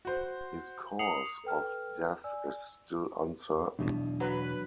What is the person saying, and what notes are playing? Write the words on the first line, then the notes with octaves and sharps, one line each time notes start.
His cause of death is still uncertain.
F#4 C5
A#5 D#6 C7 C#7 F7 F#7
A4 B4 G5 F6
D5 G#5 E6
B1 E2 B2 D4
F#3 B4